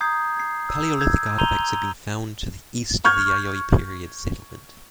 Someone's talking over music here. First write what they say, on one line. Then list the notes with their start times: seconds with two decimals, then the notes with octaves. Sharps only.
Paleolithic artifacts have been found to the east of the Yayoi period settlement.
0.01 A#5 D#6 G6 G#6 C7
0.36 G#6 C7
0.69 E6
0.99 E6 G6 G#6
1.38 A#5 C6 G6 D#7 F7 G7
3.05 C#6 F6 G6 G#6